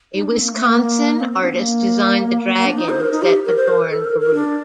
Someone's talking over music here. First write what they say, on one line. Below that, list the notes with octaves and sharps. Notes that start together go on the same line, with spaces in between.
A Wisconsin artist designed the dragons that adorn the roof.
D#4
D4
C4
A#3
A3
A#3
C4
C4
D4
A#3
A#3
D4
D#4
C5
A#4
D#4
G4
A#4
C5
A#4
A4
A#4
A#4
D4